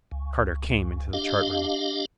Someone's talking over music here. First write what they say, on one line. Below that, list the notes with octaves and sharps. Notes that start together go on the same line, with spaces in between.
Carter came into the chart room.
C#2
D4 G4 D#5 F5